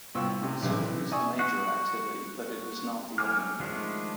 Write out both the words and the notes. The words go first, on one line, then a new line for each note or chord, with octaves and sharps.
Surfing is the major activity but it is not the only one.
C2 B3 F4 G5 C#6 E6
A2 C3 E4
B1 C3 E3
D5 E5 G#5 C#6 D#6
F#4
F#3 G5 G#5 D6 F6
D#3 F3 G#3 A3 D4